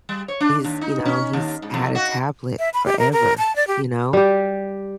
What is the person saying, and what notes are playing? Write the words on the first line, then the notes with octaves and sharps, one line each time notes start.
he's, you know, he's had a tablet forever, you know?
G3
C#5
D4
D#2
D#4
C#4
D#2
G#2
F2
F#4
E5
B5
G4
A#4
A#4
A5
D5
G4
G3 G4